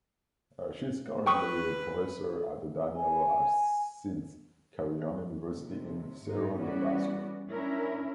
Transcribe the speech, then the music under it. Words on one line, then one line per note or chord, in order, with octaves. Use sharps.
She is currently a professor at the Daniel Alcides Carrión University in Cerro de Pasco.
B4 G5 C#6 D#6
G#5
D#2 C3
G#2 A#3 D#4
E3 G3 B3 C#4 F#4 D5
C#4 D4 E4 A#4